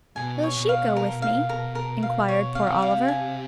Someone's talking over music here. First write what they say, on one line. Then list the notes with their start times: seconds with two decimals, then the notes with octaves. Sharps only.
'Will she go with me?' inquired poor Oliver.
0.16 B2 G#5
0.43 C#5
0.56 B2
0.69 F5
0.97 A#4
1.22 F5
1.49 A#4
1.75 A#4
2.03 F5
2.28 C#5
2.55 C3 F5
2.82 F5
3.08 G#5